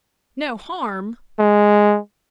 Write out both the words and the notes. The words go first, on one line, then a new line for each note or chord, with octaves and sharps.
"No harm!"
G#3